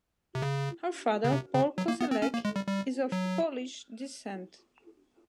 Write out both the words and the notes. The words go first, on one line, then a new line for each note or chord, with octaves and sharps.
Her father Paul Kosellek is of Polish descent.
C3
C#3
C#3
C3
C#3
F#3
A#3
B3
C4
C#4
A#3
G#3
G3
G3
F#3